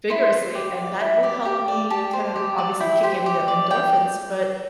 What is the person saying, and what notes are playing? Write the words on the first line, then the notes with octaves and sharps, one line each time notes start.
vigorously, and that will help me, kind of, obviously kick in the endorphins, but
E4 C6
C5
G4
D5
E4
G4 D5
G4
D5
G4 A5
C5
G4
D5
E4 G5
G4 C5
G4
D5
G4 G5